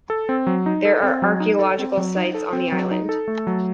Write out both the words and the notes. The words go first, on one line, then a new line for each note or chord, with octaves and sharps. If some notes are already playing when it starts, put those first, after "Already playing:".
There are archaeological sites on the island.
A4
C4
F#3
D#4
A4
C4
F#3
D#4
A4
C4
F#3
D#4
A4
C4
F#3
D#4
A4
A3
F#3